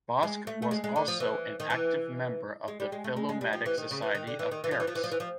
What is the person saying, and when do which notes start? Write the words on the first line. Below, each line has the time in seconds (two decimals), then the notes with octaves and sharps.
Bosc was also an active member of the Philomatic Society of Paris.
0.23 G#3
0.47 A3
0.62 A3
0.71 G#3
0.84 G#3
0.96 D3
1.08 F3
1.20 E3
1.60 D#3
1.70 E3
2.68 G#3
2.80 G3
2.92 G#3
3.04 A3
3.17 G#3
3.29 G#3
3.41 G3
3.53 F3
3.66 E3
3.78 D#3
3.91 C#3
4.02 E3
4.15 D#3
4.27 D3
4.39 E3
4.51 D#3
4.64 E3
4.71 F3
4.80 E3
4.87 F3
4.95 E3
5.04 F3
5.12 E3
5.20 F3